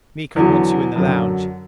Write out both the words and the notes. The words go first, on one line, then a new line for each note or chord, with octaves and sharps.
"Miko wants you in the lounge."
E2 D3 F#3
F#2 D3 F#3